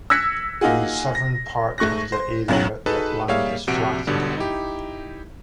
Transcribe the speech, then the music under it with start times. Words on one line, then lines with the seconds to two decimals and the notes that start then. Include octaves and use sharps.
In the southern part of the area the land is flat and low.
0.10 E6 F#6 G#6 A#6 B6 C#7
0.61 A#3 D#4 F4 F#4 G#4
1.15 A#6
1.78 G#2 A3 C#6 F#6 A#6
2.12 C5
2.48 B1 F#2 A2 F#3 F#7
2.86 D#4 F#4 G#4 A4 B4 A5
3.28 G3 A#3 G#4 C#5 E5 F5
3.67 A#1 C3 F#4 F#5 D7
4.07 G1 B2 D3 G3
4.37 D#4 E4 G4